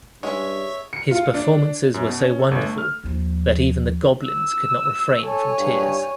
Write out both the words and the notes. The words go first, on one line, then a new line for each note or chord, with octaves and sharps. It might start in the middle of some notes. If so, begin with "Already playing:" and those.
His performances were so wonderful that even the goblins could not refrain from tears.
G2 G#3 C#4 G#4 C#5 E5
C#7
F4
D4
F#2
B2
C#4
A4
G1
A3
F6
D#2 F3
E6
A4 C#5 G#5
G2